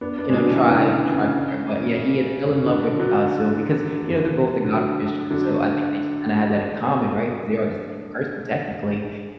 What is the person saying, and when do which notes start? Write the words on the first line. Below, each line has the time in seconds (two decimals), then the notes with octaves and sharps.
you know, try try for it, but yeah, he had fell in love with, uh, Sylvie 'cause, you know, they're both the God of mischief, so I think they just kinda had that in common, right? 'Cause they are the same person technically,
0.01 B3 D4
0.18 B3 D4
0.30 G#3
0.34 D3 F#3
0.51 C#3 E3
0.68 C#3 E3
0.90 D3
1.12 C#3
2.66 D3
2.99 D3 F#3
4.64 D3 F#3
5.31 D3 F#3